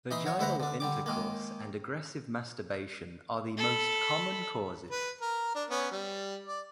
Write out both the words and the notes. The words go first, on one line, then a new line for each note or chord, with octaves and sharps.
Vaginal intercourse and aggressive masturbation are the most common causes.
E3 D#4 B5 C6 D#6
F#4 C#5 C#6
D2 E4 B4 C5 F#5 A#5
D3 D4
D3 G3 D6
D#3 G#3 A#3
A4 B5
B4
A#4
D4
B3 C#4
G3
D5